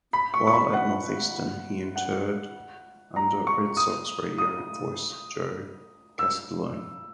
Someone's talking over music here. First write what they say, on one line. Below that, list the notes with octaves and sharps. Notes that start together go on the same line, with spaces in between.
While at Northeastern, he interned under Red Sox radio voice Joe Castiglione.
B5
C#6
C#6
B5
F#5
F#5
A#5
C#6
D#6
D#6
E6